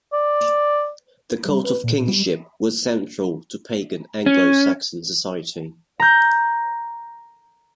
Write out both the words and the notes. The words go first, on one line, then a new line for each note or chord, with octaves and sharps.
The cult of kingship was central to pagan Anglo-Saxon society.
D5
G3
B4
A#2
G3
C#4
A#5 G6